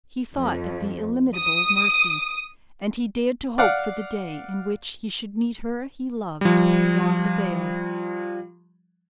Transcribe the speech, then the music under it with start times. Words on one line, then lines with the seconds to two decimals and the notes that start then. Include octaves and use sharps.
He thought of the illimitable Mercy, and he dared to hope for the day in which he should meet her he loved "Beyond the Veil."
0.36 F2
1.36 D#6
3.58 D5 F5 F#5
6.41 F3 G3